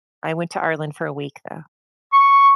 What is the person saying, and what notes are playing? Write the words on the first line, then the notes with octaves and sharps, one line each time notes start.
I went to Ireland for a week, though.
C#6